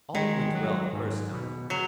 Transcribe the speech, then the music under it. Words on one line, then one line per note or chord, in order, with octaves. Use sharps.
All went well the first time.
D#3 G#3
F#3
G#2
B2
C#3 F#3